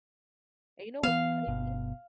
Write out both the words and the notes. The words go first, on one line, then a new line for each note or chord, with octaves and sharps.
And you know what's crazy?
E3 B3 F5
G1 B2